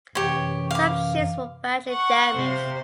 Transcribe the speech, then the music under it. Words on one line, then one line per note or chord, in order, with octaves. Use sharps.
Some ships were badly damaged.
F#2 C3 E3 G4 C#5
F5 D6
F#5 C#6
C3 C5 F5